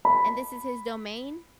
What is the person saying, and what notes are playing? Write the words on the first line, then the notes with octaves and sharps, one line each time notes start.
and this is his domain?
B5